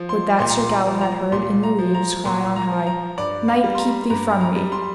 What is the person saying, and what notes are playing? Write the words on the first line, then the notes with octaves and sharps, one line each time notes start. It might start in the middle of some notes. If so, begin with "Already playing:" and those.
With that Sir Galahad heard in the leaves cry on high: Knight, keep thee from me.
Already playing: F3
C6
A#2 C6
A#5
C6
A#5
F3
A#5
A#2 C6
A#5
F3
A#5
A#2 C6
A#5
F3
A#5
G2 D5
F5
G3
C6
A#5
G2 A#5
A#5
G3
C6